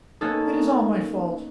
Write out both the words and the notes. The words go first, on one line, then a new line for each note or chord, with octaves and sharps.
It is all my fault.
A#3 B3 C#4 D#4 A4